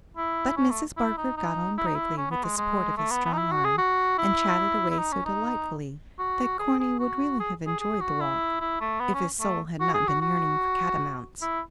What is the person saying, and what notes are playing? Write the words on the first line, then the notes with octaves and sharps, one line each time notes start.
But Mrs. Barker got on bravely, with the support of his strong arm, and chatted away so delightfully that Corny would really have enjoyed the walk, if his soul had not been yearning for catamounts.
E4
C#4
A3
E4
D#4
D#4
E4
D#4
E4
C#4
B3
G#3
G#3
A3
B3
B3
D#4
E4
F#4
G#4
F#4
E4
E4
D#4
C#4
D#4
F#4
G#4
G#4
F#4
G#4
G#4
G#4
F#4
E4
E4
A3
B3
C#4
A3
F#4
G#4
F#4
F#4
E4